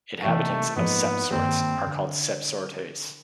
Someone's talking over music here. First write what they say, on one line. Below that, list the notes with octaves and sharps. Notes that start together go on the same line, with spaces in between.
Inhabitants of Sept-Sorts are called "Septsortais".
C3 E3 G3 A3 A#3 D#4
G#2 F3 A#3 B3 D#4
G2 D#3 G3 A#3 C4
D3